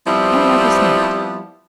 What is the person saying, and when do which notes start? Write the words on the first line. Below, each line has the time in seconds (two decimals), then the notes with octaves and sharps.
Aunt Martha sniffed.
0.07 F3 G3 B3 C4 E4